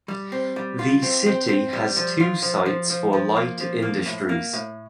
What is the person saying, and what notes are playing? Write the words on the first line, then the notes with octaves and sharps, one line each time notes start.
The city has two sites for light industries.
G3
C4
G3
F4
C4
C4
C4
G3
F3
F4
F3
F3
F3
F3
A#3
F3
A#3
A2
A#3
A2